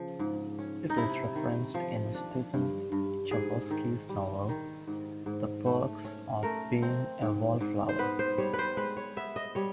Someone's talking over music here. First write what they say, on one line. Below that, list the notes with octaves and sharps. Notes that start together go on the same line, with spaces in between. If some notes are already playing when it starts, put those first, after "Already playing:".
It is referenced in Stephen Chbosky's novel "The Perks of Being a Wallflower".
Already playing: C#3 F3
G#2
C#4
D#4
C3 E4
D#3
F3
D4
G2
G2
G#2 G#4
D#3
G3
D#3
G#2
G#2
A3
C#4
A3 A#4
C4
G#2
G#2
C5
B3 B4
C5
G3 C#5
B4
C5
G#3 B4
C#5
B3 E5
D#5
G3 C#5